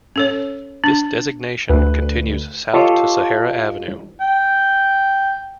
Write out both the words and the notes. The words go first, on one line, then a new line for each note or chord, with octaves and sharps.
This designation continues south to Sahara Avenue.
C#4 A4 C#5
D4
D2 B4
F4 G4 A4 C#5 D#5
G5